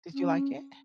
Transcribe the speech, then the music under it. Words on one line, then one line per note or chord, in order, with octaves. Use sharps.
Did you like it?
C#4